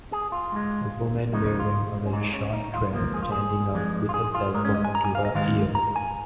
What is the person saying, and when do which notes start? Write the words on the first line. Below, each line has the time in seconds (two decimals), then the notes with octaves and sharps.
A woman wearing a very short dress standing up with her cellphone to her ear.
0.12 G#4
0.32 F4
0.52 G#2 G#3
1.32 C#3 F3 G#3 D#4
1.46 D#4
1.60 F4
2.06 C#4
2.13 G#2 G#3 D#4
2.33 C#4
2.53 D#4
2.74 F4
2.93 G#2 F3 A#3
3.14 G#4
3.23 F4
3.32 G#4
3.74 F2 F3 G#3
4.09 F4
4.14 G#4
4.35 F4
4.54 G#2 G#3 A#4
4.65 C#4
4.75 D#5
4.85 G#5
4.95 A#5
5.05 G#5
5.15 F5
5.25 D#5
5.35 G#2 D#3 G#3 F5
5.75 A#5
5.96 G#5